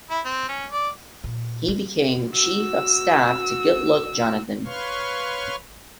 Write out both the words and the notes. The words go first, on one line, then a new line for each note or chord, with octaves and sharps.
He became Chief of Staff to Goodluck Jonathan.
E4
C4
C#4
D5
A#2
G3
F#4 E6
B4 C#5 F5 C6 C#6 F6